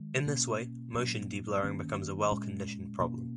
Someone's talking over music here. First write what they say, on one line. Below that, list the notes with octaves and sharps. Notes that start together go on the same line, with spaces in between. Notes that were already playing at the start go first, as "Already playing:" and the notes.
In this way motion deblurring becomes a well-conditioned problem.
Already playing: D#3 G#3
B2 A#3 C#4
A#2 F#3 A#3 C#4
D#3 A#3 C#4
A#2 G#3 C#4
B2 A#3 C#4